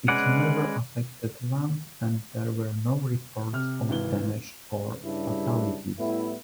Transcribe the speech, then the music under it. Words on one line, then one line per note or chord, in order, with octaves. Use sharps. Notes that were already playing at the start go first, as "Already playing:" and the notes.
It never affected land, and there were no reports of damage or fatalities.
G#3 C#4 B4 D5 F#5
C3 F6
G#1 E3 G7
G2 C#3 G3 D4 E4
A2 G3 B3 E4